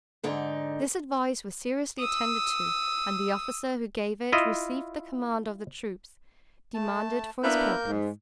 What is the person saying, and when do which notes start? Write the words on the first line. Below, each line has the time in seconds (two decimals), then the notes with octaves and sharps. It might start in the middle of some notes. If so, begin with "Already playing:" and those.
This advice was seriously attended to, and the officer, who gave it, received the command of the troops, demanded for his purpose.
0.23 G#2 D3 D#4
1.99 D#6 E6
4.32 E4 F4 D#5
6.74 A3 A5
7.43 A#3 B3 D4 E4 A#4 G6
7.85 G#2